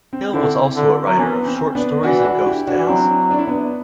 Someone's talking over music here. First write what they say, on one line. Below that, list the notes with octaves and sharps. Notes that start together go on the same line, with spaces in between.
Hill was also a writer of short stories and ghost tales.
C4
D3 C4 E4
D3
F#3
E3 B3
C4
B3 D4
E3 D4 F#4
D4 F#4
E4 G4
D4 F#4
E3
F#3 C4 E4
D4
E4
B3 D4